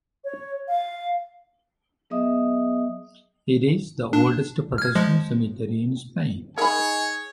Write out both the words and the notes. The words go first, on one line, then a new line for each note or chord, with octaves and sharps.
It is the oldest Protestant cemetery in Spain.
C#5
F5
F#3 B3 G#4 D#5 E5 D#6
D4
F6 G#6
F3 G#3
D#4 G#4 A#4 C#5 G#5 B5